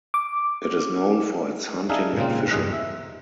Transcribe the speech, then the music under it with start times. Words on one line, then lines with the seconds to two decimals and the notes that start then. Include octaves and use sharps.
It is known for its hunting and fishing.
0.14 D6
1.89 D4 D#4 G#4 E5 F5
2.17 A#2 C#3 G#3 A#3 C4
2.51 E2 G2 G#3 D#5
2.73 E5